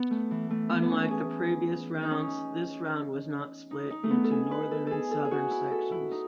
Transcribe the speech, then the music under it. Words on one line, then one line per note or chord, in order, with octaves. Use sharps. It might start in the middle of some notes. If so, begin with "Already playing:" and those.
Unlike the previous rounds this round was not split into northern and southern sections.
Already playing: B3
A3
E3
A3
B3
B3
C#4
G#4
D#4
C#4
D#4
D#4
A3
B3
A4
G#4
B4
A4
G#4 A4
A4
G#4
F#4
E4
A4
E4
D#4